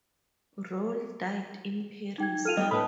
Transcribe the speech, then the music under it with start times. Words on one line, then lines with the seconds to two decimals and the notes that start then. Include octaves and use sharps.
Rolle died in Paris.
2.18 D#4 G5 G#6
2.45 F4 A4 F6 D#7 F7
2.57 G3 B3 D#5 G5
2.71 A2 A3 B4 A5 B5 D#6